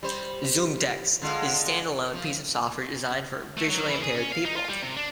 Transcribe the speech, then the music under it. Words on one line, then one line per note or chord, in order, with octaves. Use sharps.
ZoomText is a stand-alone piece of software designed for visually impaired people.
G3 C5
D3 G#3 F4
F3
A3
F#3
E3
G#4
C#4
F5
D#4
F4
G3
C3
D4